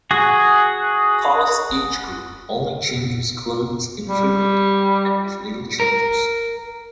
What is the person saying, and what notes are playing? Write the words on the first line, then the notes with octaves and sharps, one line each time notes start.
Carl's age group only changes clothes infrequently and with little changes.
F#4 G#4
G3
A#4